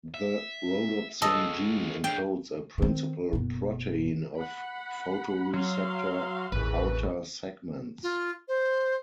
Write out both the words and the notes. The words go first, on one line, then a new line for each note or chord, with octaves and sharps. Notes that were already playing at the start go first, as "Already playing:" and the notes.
The rhodopsin gene encodes a principal protein of photoreceptor outer segments.
E5
F4 G#4 A4 D#5
D4 G#4 G5
D#3 C4
F#1 B2
F#5 B5
F#3 F5 C6
A1 D#2 C#3 E3 B4
F4
C5